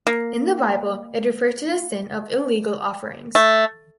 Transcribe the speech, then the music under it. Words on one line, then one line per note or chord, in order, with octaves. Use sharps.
In the Bible it refers to the sin of illegal offerings.
A#3
A3